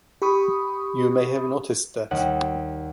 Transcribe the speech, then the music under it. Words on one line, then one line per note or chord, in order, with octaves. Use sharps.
You may have noticed that.
G4 B5 C#6 D#6
D#2 G3 D#5 F#5